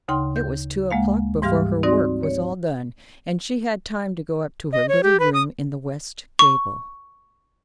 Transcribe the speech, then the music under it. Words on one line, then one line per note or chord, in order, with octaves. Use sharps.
It was two o'clock before her work was all done, and she had time to go up to her little room in the west gable.
D2 C#3 D#4 G5 C6
G6
D2 G#3 A#3 F5
G#2 E3 G3 G4 F5 F6
C4 D#4 F#4 D5 C6 A#6
C#5
D#5
C#5
G4
B4
D#6
C#6